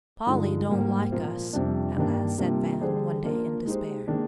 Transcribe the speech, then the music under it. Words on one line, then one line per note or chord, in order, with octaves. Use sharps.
"Polly don't like us," at last said Van one day in despair.
G2 D3 F3 G#3 D#4
G#2 G3 A#3
A#2 F3 A#3 F4 C5
F2 C3 G3 D4
G2 D#3 G3 A#3 D4
C3 G3 A#3 D4 F4
D3 G3 D4 G#4 C5
F3 A#3 D4 F4 A#4
G#3 D#4 G4 C5
D#3 A#3 D4 G#4